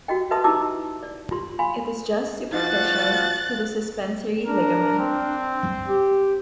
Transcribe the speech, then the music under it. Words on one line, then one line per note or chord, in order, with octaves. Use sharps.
It is just superficial to the suspensory ligament.
F#4 G4 D#5 G5
B4 D#5 E5 A5 C6 D#6
D#4 E4 G4 A5 D6 E6
D5
F4 G4 C6
F5 G#5 B5 C6
F3 F#4 F#6 A6
D4 A#4
C4
G4